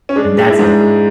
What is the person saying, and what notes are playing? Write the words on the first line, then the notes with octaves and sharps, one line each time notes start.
and that's it.
C#4
G#3 D4
G#3
E4
G#2 D4
G#3